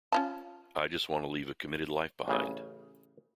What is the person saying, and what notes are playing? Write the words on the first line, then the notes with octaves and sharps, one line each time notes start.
I just want to leave a committed life behind.
C#4 F4 A5
A1 C#3